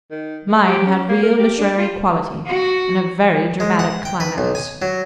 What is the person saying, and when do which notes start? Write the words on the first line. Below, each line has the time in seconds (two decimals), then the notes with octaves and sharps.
"Mine had real literary quality, and a very dramatic climax."
0.11 D#3
0.48 G#3
0.67 G4
0.86 C#4
1.08 A#3
1.23 A#4
1.39 G4
1.58 D4
1.78 F4
2.46 F#4
3.60 G#3
3.79 F#5
4.05 G5
4.20 B4
4.38 B1
4.55 G#5
4.82 F#3